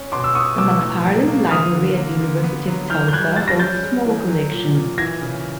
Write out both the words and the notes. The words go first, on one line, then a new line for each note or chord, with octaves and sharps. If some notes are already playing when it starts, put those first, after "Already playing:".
The McFarlin Library at the University of Tulsa, holds a smaller collection.
Already playing: C#4
B2 C6 D6
E6
B3 C#6 D#6
B2 D6 E6
A2
F#3
A#3
D3 D#6 F6
D3
A#3
D3
B3
F#3
E3 F6 G6
G6
G3 F#6 G#6
G3 A6
A#6
C#4 G6 A6
G#3
E3
F#3
A#2
A#2
E3 G#6 A#6
C#3